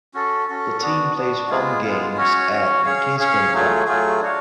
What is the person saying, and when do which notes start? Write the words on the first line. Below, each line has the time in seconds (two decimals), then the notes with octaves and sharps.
The team plays home games at Kinsmen Park.
0.14 C#4 F#4 A4
0.48 C#4 F#4 A4
0.81 B3 D4 F#4
1.15 B3 D4 F#4
1.50 G#3 B3 F4
1.83 G#3 B3 F4
2.17 C#4 F#4 C#5
2.52 C#4 F#4 C#5
2.85 C#4 G#4 C#5 F5
3.19 C#4 G#4 C#5 F5
3.53 F#3 A3 F4 G#4
3.87 F#3 A3 F4 G#4
4.21 D4 F#4 C#5 F5